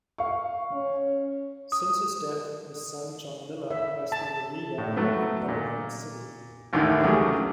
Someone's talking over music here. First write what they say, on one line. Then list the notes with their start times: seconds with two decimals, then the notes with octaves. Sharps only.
Since his death, his son John Millar has been the leader of Elohim City.
0.18 F5 C#6
0.73 C#4
1.72 D#6
3.70 E5
4.12 A5
4.78 A2
4.96 F#3 A3 B3
5.48 A#2
6.73 A1 D#2 D3 D#3 E4
7.02 C#3 E3 F#3 A3 G4 G#4